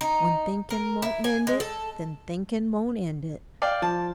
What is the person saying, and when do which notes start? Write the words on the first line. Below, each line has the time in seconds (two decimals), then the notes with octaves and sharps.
When thinkin' won't mend it, Then thinkin' won't end it.
0.01 D#4
0.70 A#4
1.02 E4
1.24 G#5
1.47 G#3
1.60 A4
3.62 D5 F5 G5
3.82 F3 A5